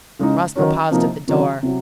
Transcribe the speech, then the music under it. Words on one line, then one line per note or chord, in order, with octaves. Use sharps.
Roscoe paused at the door.
C#3 G#3 D#4
D#3 F#3 C#4
C3 F3 A#3 D#4
C3 D#3 F#3 C#4
C3 F#3